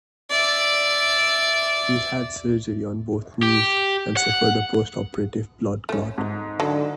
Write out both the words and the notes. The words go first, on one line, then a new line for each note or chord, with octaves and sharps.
He had surgery on both knees, and suffered a post-operative blood clot.
D5 E5
G4
F#5
A3 C#4
G#2
D3 F#3 A4